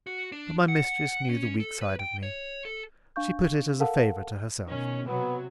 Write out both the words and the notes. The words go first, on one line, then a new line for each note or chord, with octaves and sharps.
But my mistress knew the weak side of me; she put it as a favour to herself.
F#4
D4
F#5
C#4
A4
B4
G5
C#5
A4
D4 F5 C#6 G6
A4 A#4 F5 F#5 A5
B2 D#3 C#4
C3 F#3 B3